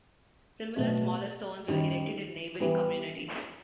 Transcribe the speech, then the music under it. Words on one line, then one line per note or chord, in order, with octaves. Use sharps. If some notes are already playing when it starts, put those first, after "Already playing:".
Similar smaller stones were erected in neighbouring communities.
B2 F#3 A3
F#2 D#3 G3
E3 G3 B3